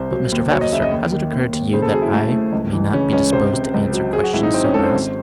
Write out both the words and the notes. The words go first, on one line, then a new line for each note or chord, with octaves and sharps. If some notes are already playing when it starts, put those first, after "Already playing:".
"But, Mr. Vavasor, has it occurred to you that I may not be disposed to answer questions so asked?"
Already playing: C2 C5
F#3
D#2
F#3 C#5
D#5
C#3 E5
D#5
D#2
D#3
D#2
D#2
C#3 C5
A4
F#3 G#4
E4
A3
A3
C#2
E3
C#3 C#4
C#2 C#4
C3 C5
C3
C#2
F#3
F#3 G#4
F#4
G#1 E4
D#4
F#3 C4
C#4
G#2 A4
C5
G#1